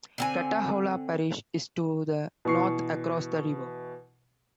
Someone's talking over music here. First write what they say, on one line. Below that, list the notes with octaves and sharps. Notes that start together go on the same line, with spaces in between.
Catahoula Parish is to the north across the river.
D3 C4 G#5
B2 E3 C#6 C7